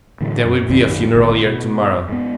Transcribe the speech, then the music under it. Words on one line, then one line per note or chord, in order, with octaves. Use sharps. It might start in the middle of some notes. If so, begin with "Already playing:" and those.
"There will be a funeral here to-morrow."
A2 D3 E3 F#3
F#2
B1 F#2 D#3
G#1 D2 B2
B2
G#2 B3